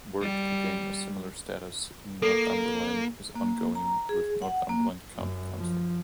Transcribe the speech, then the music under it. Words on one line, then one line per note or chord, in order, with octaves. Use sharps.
Work to gain a similar status in Northumberland is ongoing with Northumberland County Council.
G3
A#3 A4
A#3
A#5
G#4
F#5
A#3
F#2
F3